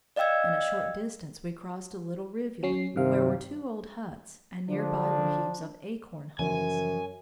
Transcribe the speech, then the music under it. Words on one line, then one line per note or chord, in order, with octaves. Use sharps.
In a short distance we crossed a little rivulet, where were two old huts and near by were heaps of acorn hulls.
D5 D#5 F5 G5 E6 G#6
F#3 C#4 C7
G2 C3 D#3 F5
D3 F3 D4
F#2 C#3 E3 F3 G#5